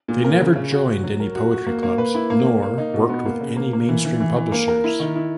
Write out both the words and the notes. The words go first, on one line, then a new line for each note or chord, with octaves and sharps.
She never joined any poetry clubs nor worked with any mainstream publishers.
A#2
A#4
C#3
C#3
F#4
F#4
F#3
A#4
F#4
F#4
A#3
A#3
B4
E4
A#3
A#3
A#3
D#4
B2
B3
A#3
C#3
A#3
A#3
E3
E3
E3
E3
A#3
A#4
E4
D#3
E4